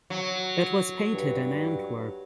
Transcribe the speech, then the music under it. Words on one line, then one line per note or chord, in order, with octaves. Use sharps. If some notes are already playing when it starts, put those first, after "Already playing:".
It was painted in Antwerp.
F#3
G2